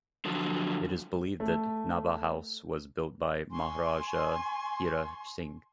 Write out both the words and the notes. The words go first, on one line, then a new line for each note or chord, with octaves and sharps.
It is believed that Nabha House was built by Maharaja Hira Singh.
D3 F3 F#3
A3
G#5 C6 C#6